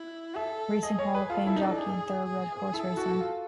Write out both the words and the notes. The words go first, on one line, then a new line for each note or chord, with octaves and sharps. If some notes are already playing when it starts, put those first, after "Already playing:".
Racing Hall of Fame jockey in thoroughbred horse racing.
Already playing: E4
A4 E5
G#4 D#5
C#5
B4
F4 A4
E4
D#4
D4
G#4
G#4
E4 A4
F#4
F4